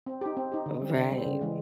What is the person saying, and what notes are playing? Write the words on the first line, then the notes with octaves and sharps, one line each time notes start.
Oh, right.
C4
D#4 G4
C4
D#4 G4
D3
G3 C4
D3
G3 C4
C#3
E3 G#3